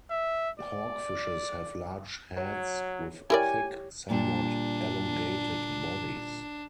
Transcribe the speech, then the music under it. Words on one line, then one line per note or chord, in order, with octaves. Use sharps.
Hawkfishes have large heads with thick, somewhat elongated bodies.
E5
D5
F#3 C#5
E4 G4 A#4 C#5 D5 G#5
A#2 D3 G3 D4